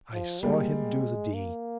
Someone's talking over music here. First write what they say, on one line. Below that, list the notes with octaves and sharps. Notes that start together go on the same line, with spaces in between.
I saw him do the deed.
F3
G3 G#3 A#3
A#3